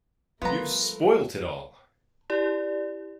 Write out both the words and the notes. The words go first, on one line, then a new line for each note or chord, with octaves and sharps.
You've spoilt it all!
F3 G3 A3 B3 F4 A#4 A#5
E4 G4 D5